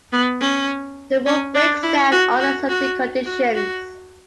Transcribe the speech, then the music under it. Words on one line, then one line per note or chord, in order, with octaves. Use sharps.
The rule breaks down under certain conditions.
B3
C#4
C#4
D4
E4
F#4
F#4
F#4
F#4
F#4